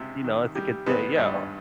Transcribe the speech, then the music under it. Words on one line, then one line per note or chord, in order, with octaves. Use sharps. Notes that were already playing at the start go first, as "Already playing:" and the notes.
you know? It's a like a d yeah, uh
Already playing: C#2 C3
D#3
G3
G#1 B3
G2